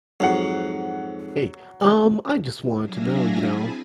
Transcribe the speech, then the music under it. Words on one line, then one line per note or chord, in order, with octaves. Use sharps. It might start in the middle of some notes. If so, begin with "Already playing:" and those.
Hey, um, I just wanted to know you know,
F2 G#2 F#3 F#5
F#3 D4 E5 F5 G#5 A#6
C4 E4 G#4 G#5 A5 B5